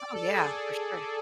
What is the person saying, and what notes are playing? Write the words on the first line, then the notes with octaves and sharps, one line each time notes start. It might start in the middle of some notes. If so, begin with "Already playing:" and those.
Oh, yeah, for sure.
Already playing: D5
A4
G#4